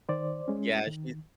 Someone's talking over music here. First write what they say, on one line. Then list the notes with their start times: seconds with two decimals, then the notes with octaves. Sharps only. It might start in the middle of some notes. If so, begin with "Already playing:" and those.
yeah, she
0.09 D#3 C5 D5
0.48 G#3 C#4
0.87 D#3